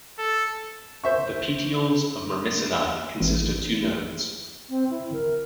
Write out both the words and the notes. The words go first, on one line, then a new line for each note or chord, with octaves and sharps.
The petioles of Myrmicinae consist of two nodes.
A4
C5 E5 C#6
G#1 E3
C4
E4
A#4